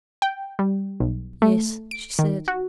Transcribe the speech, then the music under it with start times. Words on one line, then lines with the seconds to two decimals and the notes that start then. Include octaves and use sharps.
"Yes," she said.
0.22 G5
0.59 G3
1.00 B1
1.42 A3
1.91 D7
2.19 D#3
2.48 F#4